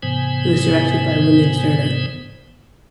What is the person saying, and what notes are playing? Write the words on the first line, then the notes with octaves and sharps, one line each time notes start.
It was directed by William Sterling.
G#2 C3 E3 B3 C5 G#5